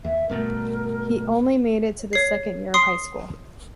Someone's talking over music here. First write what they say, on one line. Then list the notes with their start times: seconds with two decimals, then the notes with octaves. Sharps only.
He only made it to the second year of high school.
0.05 D#2 E5
0.30 G2 B2 A3 A#4
2.13 C#5 C7
2.74 C6 D#6 C7